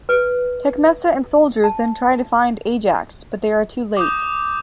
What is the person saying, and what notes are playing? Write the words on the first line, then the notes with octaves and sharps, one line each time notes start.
Tecmessa and soldiers then try to find Ajax, but they are too late.
B4
A5
D6 D#6 G6